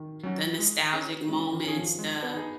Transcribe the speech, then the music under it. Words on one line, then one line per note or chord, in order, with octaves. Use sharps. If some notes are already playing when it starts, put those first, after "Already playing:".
the nostalgic moments, the
Already playing: D#3
F#3 C#4 F#4
G#3
D#3
C#4 G#4
C#3 G#3
D#3
D#3 C#4 G#4
F3
G#3
B3
D#4 G#4